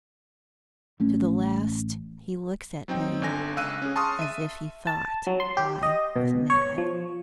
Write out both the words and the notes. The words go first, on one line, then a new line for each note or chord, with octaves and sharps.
To the last he looks at me as if he thought I was mad.
A1 A3 C#4
F#3 C4 D#4 G5
G1 D3 G#5 A#6
C#2 F5 E6 F#6 D#7
C#4 G#4
A5 C6 C#6 D#6 F6 A6
E5 D#7
A5
F#3
C6
G4
D#5
B2
C#5
F3